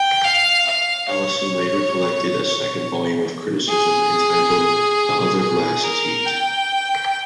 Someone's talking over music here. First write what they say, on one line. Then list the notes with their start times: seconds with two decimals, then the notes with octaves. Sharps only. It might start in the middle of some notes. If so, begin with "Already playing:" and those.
Ellison later collected a second volume of criticism entitled "The Other Glass Teat".
Already playing: G5
0.24 F5
0.67 F5
1.10 C#5
3.68 G#4
5.40 G#4
5.84 A#4
6.26 G5